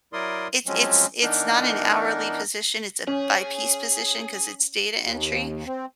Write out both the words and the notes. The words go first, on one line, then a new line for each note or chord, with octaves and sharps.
It it's it's not an hourly position, it's a by-piece position 'cause it's data entry,
F#3 E4 A#4 D5 C6 D#6
F3 F#3 G#3 C4 C#4
E3 B3 D4 D#4 A#4
C#4 G#4 C#5
D#2
C4